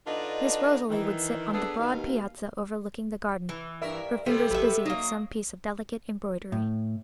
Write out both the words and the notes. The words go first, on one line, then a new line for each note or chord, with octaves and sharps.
Miss Rosalie would sit on the broad piazza overlooking the garden, her fingers busy with some piece of delicate embroidery.
D3 D4 D#4 F4 B4 D#5
D#3 E3
B3 D4 G#4 A4 B4
D#2 B2 F5
E3
G2 A#4 E5
C3 G3 B3 F4 A4 B6 D#7
G#1 F#3 G4 B4 E5
F#3 A#3 D#4 D#6
A2